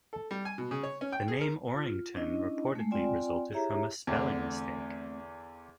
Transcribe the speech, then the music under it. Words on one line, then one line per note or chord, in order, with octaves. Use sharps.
The name "Orrington" reportedly resulted from a spelling mistake.
A4
G3
G#5
B2
C#3
C#5
C#4
G5
G#4
A#4
F4
C#4 D4 E4 D#5
G#3 A3
C4 F4 D5 G5 G#5
E4 G4 G#4 C#5 E5 A#5
E2 D3 A3 C4